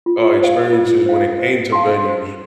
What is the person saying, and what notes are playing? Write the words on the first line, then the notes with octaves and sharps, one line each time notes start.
uh, experiences when it came to venues
F4
C5 F5
F4
C5 F5
C5
F5 A5 C6
C5